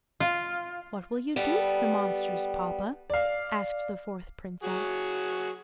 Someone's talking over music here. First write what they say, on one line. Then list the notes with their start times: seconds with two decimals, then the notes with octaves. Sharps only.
"What will you do with the monsters, papa?" asked the fourth Princess.
0.20 F4
1.36 G3 B3 A4
3.10 D5 F5
4.63 F#3 F#4 G#4